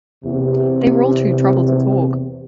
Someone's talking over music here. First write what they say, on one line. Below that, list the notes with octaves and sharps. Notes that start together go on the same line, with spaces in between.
They were all too troubled to talk.
E2 C3